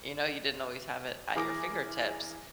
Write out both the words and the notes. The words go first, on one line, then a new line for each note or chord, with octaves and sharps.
you know, you didn't always have it at your fingertips.
E3 G#4 A#4 D6 A#6